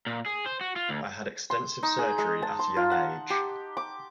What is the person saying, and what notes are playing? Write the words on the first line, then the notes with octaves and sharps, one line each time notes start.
I had extensive surgery at a young age.
A#2
G#4
C5
F#4
F4
D2
C6
D#4
G#4
G#3
A5
C6
F4
F#5
G4
D6